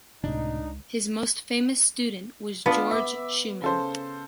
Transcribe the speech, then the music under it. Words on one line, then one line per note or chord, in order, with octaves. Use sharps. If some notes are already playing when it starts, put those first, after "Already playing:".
His most famous student was Georg Schumann.
C#2 A2 C3 D4 D#4
B3 D4 F4 A5
E5 D6
C#3 A4 C5